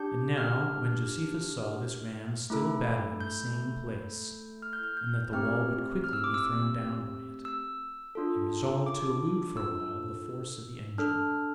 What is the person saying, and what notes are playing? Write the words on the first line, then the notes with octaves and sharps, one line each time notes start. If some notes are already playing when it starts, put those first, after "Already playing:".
And now, when Josephus saw this ram still battering the same place, and that the wall would quickly be thrown down by it, he resolved to elude for a while the force of the engine.
Already playing: D4 G4 G6
F6
A3 E4 A4
G6
F6
G6
F6
G6
A3 C4 G4 F6
F6
E6
D6
E6
E6
D4 F4 A4
D6
E6
D4 A4 F6